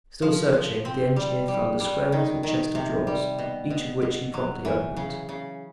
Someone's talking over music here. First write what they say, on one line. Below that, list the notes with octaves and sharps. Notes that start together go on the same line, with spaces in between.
Still searching, the engineer found a square metal chest of drawers, each of which he promptly opened.
F3
F3
C4
G3
G3
G3
D#3
D#3
C3
G3
B2
B2
B2
F#3
E3
C#3
C#3